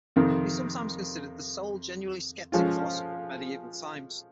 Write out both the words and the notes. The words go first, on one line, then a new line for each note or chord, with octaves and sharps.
He is sometimes considered the sole genuinely skeptic philosopher of medieval times.
F2 C3 D#3
F3 G#3 C#4 F4